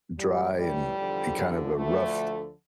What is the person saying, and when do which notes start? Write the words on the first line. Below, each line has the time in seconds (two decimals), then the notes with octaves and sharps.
dry and and kind of a rough
0.18 A2 E3 G3
0.58 G3
0.97 E2 D3 F3
1.74 D2 D3 F3 A3